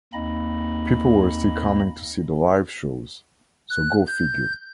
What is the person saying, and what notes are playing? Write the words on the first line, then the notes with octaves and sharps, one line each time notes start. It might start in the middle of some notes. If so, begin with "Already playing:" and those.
People were still coming to see the live shows, so go figure.
D#2 A#3 C4 D#4 D#5 B5
F#6
G6